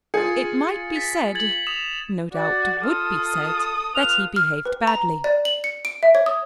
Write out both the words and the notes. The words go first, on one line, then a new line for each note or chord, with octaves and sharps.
It might be said, no doubt would be said, that he behaved badly.
F4 G#4 A6 C#7
A6 B6
G#6 A6 F#7
D#6 E7 F7
F#4 D5
F4 A4 D#6
F4 B4 F5 F7
F6
B4
A#5
D5
F#7
C#7
D7
E5
C#5
D#6